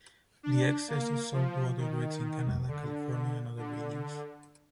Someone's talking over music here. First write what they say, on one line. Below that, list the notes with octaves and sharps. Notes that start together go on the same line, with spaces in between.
The excess is sold to other grids in Canada, California and other regions.
D4
A#3
F3
D#3
D3
D3